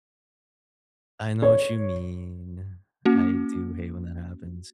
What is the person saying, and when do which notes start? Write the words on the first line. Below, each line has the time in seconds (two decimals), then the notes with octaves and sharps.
I know what you mean. I do hate when that happens.
1.42 C#5
3.05 A#3 C#4 F#4